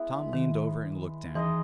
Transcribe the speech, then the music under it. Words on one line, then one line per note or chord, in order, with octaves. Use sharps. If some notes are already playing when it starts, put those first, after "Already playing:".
Tom leaned over and looked down.
Already playing: G#3 B3 E4 B4
D#3
E3 G#3 D#4 G#4 D#5